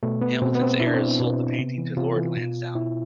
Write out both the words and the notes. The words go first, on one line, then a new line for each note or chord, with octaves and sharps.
Hamilton's heirs sold the painting to Lord Lansdowne.
B2 A3
B3
B2 C4
B3
C4
B2 E4
D4
C4
B3
B2
C3
E3
C3 F4
E3
B2
B2 E4